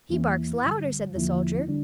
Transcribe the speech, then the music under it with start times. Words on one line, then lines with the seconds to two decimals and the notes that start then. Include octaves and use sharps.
"He barks louder," said the soldier.
0.09 E2 E3 A#3 E4
0.62 G2 D3 G3
1.14 E2 D3 F3 A#3 E4
1.68 D3 G3 D4